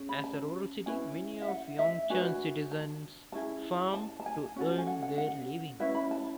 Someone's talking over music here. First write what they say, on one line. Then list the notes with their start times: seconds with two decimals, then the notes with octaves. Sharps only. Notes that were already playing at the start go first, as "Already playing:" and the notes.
As a rural city, many of Yeongcheon's citizens farm to earn their living.
Already playing: C#4 G#4
0.09 B5
0.24 A5
0.86 C#4 E4 B4 G#5
1.42 E5
1.48 F#5
1.79 E5
2.10 D4 F#4 B4 G#5
2.71 A5
3.32 C#4 E4 G#4 A5
3.94 A5
4.20 A5
4.26 G#5
4.56 C#4 F#4 A4
4.78 G#5
4.87 F#5
5.02 F#5
5.18 F#5
5.80 C#4 E4 B4 E5
5.95 B5
6.11 A5